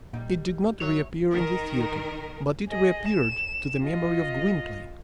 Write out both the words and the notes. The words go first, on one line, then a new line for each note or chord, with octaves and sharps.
It did not reappear in the theatre, but it reappeared to the memory of Gwynplaine.
A#2 G3 D#4 G4
F#3 C#5 E5
D#3 A#4
G#4 D#5
E7
F4 D#5